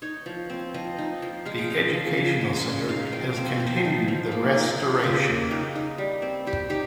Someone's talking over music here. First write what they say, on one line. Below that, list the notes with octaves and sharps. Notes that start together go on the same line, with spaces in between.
The educational center has continued the restoration.
D#4 C#5
F3
C4
F3 D#5
D#4
F3
G#3 F5
G5
C#4 F5
F3
C#3
G#3
C#4
D#4 F5
F5
F3 G5
C4 F5
F3
D#4
F3
A#3
D#4
F3
F4
C#3 G4
A#3
D#4
D#4
G3
C4
G3 G4
D#4 G4